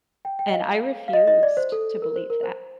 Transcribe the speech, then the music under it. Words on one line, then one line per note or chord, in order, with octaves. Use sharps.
and I refused to believe that.
G5
G5
D#5
F5
F5
D#5
D#5
D5
C5
A4
A#4
C5
A#4
C5